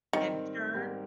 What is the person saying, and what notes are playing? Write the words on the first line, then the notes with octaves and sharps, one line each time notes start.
and turn
G#2 D#3 G3 C4 G4 A#4
G#2 G3 C4 G4 A#4